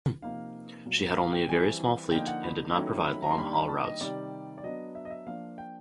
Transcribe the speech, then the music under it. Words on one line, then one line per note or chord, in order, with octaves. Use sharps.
She had only a very small fleet and did not provide long haul routes.
C3 F3 A#3 D#4 F5
A#2 F#3 A#3
F5
G5
E3 G3 C4 E4 G#5
D3 F3 A#3 D#4 G5
F#5
B5
D#3 F#3 A3 C#4 E4
B5
A#5
C6
D#3 G3 A#3 D4 B5
B5
A5
D#5
C3 D#3 G3 D5
D5
F#3 B3 D4 D#5
E5
D#5
E5
F3 A#3 D4 F5
G5